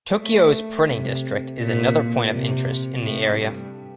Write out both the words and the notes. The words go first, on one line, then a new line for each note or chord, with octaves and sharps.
Tokyo's printing district is another point of interest in the area.
A3
C3
A#2
C3
A2
G2